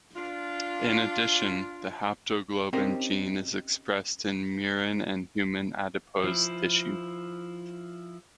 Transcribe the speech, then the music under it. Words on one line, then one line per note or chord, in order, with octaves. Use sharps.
In addition, the haptoglobin gene is expressed in murine and human adipose tissue.
D4 F4
C4 C#4 D#4 G4 A#4 C5
F3 E4